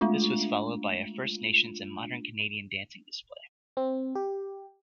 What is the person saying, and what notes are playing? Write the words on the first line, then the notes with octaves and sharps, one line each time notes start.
This was followed by a First Nations and modern Canadian dancing display.
G#3 A3 D4 F4
C4
G4